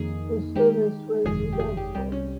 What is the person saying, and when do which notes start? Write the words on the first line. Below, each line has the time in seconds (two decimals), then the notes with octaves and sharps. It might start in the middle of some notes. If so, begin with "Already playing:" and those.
His service was eventful.
Already playing: F2 D#3 A#3 D#4 G#4
0.55 D#3 G#3 D#4 G4
1.25 G1 F2 C3 D#3 G#3 G#4
1.53 G4
1.60 G#4
1.77 G4
1.95 C2 C3 G3 G4
2.12 C#4